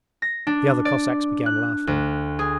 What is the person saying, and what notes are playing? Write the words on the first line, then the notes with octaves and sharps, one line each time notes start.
The other Cossacks began laughing.
A#6
D4
D5
F#6
D2
G#4